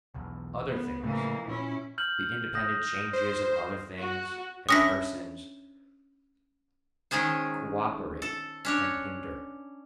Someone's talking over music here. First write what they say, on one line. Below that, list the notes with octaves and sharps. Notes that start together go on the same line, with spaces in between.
Other things, the independent changes of other things and persons, cooperate and hinder.
E1 B1 E2
B3
F2 A2 C#3 E3 A3 A#3
A#2 C#4 E4
F6 G6 F#7
D#6 G6 A#6
C5
C7
F#4
C#4 D4 E4 D#6 A#6 B6
D#3 G#3 C#4 G#4 C5
A4
C#4 D4 C#5